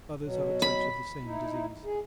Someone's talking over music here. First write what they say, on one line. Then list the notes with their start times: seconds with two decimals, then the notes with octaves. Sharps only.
Others have a touch of the same disease.
0.23 B2 F#3
0.62 B5
1.25 D#4 E4
1.84 G#4